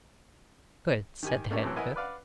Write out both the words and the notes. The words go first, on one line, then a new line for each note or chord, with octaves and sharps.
'Good,' said the head cook.
D#3 G4 G#5
A3 A#3 C#4 D4 E4 G4
A2 C3 E3 F#3
E4 A#4 B4 D#5 F#5 G#5
B4 D5 F5 F#5